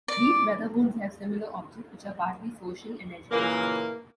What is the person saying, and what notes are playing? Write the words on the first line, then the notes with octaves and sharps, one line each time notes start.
These brotherhoods have similar objects which are partly social and educational.
D5
A#2 C#3 E3 A#3